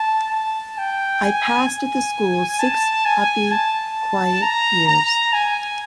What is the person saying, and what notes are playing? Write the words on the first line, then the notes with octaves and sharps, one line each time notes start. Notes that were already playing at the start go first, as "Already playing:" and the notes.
I passed at the school six happy, quiet years.
Already playing: A5
A5
G5
G#5
G#5
A5
G#5
A5
A#5
A#5
G#5